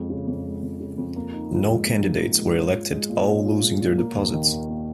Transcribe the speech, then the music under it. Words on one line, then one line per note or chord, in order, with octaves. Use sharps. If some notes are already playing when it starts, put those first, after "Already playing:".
No candidates were elected, all losing their deposits.
Already playing: F2 G#3
C#3
F2
G#3
F2
C#3
F2
A#3
D#4
F3
G#2
A#3
D#4
F3
G#2
C#4
F4
G#3
A#2
C#4
F4
G#3
A#2
A#3
D#2
D#3
D#2
A#3